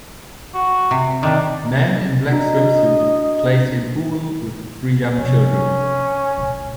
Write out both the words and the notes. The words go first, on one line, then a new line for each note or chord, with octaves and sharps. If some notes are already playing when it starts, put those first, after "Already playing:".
Man in black swimsuit plays in pool with three young children.
F#4
C3
C3 D#3 D4
D4 F#4 D#5 A#5
C3 F3 C#4
C#2 A#2